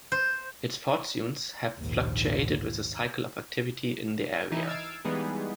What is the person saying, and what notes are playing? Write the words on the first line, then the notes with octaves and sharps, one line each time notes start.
Its fortunes have fluctuated with the cycles of activity in the area.
C5
A#1 D#2 G#2
E3 D#4 E4
E6 F6 G#6 A6 C7 D7
E3 G3 G#3 B3 D#4 G#4